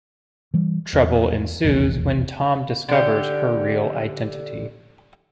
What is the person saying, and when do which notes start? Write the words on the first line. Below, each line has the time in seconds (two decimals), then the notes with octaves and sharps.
Trouble ensues when Tom discovers her real identity.
0.54 E3 G3
0.93 E2
1.64 F1 B1 E2
2.89 D3 G4